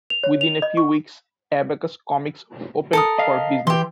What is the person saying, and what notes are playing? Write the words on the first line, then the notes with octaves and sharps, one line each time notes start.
Within a few weeks, Abacus Comics opened for business.
F7
C#5
F7
D#5
C#6
A4 A#4 D#6
D#5 F5
E3 G4 C6